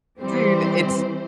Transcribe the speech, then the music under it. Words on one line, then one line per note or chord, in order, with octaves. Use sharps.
Dude, it's
E3 G3 C4 C5